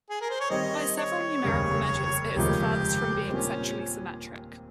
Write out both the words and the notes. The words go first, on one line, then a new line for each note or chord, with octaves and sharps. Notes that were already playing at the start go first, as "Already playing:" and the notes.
By several numerical measures it is the farthest from being centrally symmetric.
G#4
A#4
C5
C#5
D#3 G3 C4 D#5
C#5
F1 D#2 C#3 G3
F1 D#2 C#3 F3 G#3 G4
A#2 G3 C4 C#4